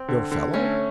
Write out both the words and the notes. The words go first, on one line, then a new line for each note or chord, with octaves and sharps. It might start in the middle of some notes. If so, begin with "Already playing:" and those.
"Your fellow?"
Already playing: C4
D3
D3
A3 C#4